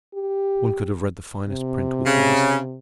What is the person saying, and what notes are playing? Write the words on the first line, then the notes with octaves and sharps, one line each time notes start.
One could have read the finest print with ease.
G4
C3
C#3